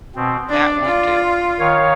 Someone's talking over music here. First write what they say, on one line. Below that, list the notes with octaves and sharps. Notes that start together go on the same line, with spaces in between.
That won't do.
B2 C4
D4 D5
F4
D#3 C#5 F5